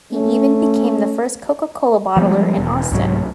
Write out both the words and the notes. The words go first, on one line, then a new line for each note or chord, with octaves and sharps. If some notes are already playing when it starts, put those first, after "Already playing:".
He even became the first Coca-Cola bottler in Austin.
A3 C#4
F3 G3 G#3 B3
E1
C2 G#2 F#3